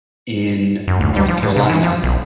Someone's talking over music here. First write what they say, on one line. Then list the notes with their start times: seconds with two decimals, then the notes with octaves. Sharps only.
in North Carolina,
0.88 F#2
1.01 D2
1.16 G3
1.29 F3
1.42 A2
1.56 C3
1.70 E3
1.84 F3
2.04 B1